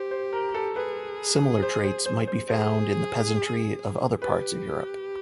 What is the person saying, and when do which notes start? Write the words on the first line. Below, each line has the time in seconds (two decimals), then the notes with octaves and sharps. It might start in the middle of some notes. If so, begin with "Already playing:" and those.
Similar traits might be found in the peasantry of other parts of Europe.
Already playing: G4 C5
0.11 C5
0.33 A#4
0.54 A4
0.76 G#4 B4
1.62 C5
1.84 C5
2.06 C5
2.27 C5
2.49 G#4 C5
4.22 G4 B4